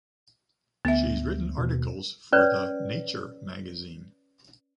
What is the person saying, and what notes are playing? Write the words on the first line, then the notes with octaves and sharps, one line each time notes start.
She’s written articles for the “Nature” magazine.
D2 B3 E5
D#2 B2
C#4 B4 C#5 D5